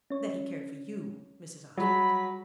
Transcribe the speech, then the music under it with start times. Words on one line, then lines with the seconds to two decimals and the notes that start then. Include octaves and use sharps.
"That he cared for you, Mrs. Osmond."
0.10 C#4 C#5
1.77 F#3 G3 G#4 B5